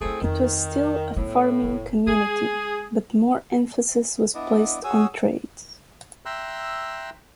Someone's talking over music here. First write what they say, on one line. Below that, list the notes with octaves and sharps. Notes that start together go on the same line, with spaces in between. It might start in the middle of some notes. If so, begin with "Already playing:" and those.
It was still a farming community but more emphasis was placed on trades.
A3 C4 E4 F4 G#4
F2 D#3
A2 B3
F1 B3
G#3 G#4
B3 D4 E4 D5 D#5
F#4 G#4 C#5 G#5 D#6 E6
E5 G5 A#5 C6 E6 F#6